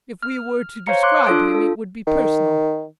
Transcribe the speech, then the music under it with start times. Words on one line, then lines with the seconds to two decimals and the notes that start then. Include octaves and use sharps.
If we were to describe him it would be personal.
0.23 F6
0.87 C5 C#5 F5 A#5 C#7
1.03 C6 D6 F#6
1.26 D4 F4 A4 D#6 D7
1.55 F4 A4
2.07 D#3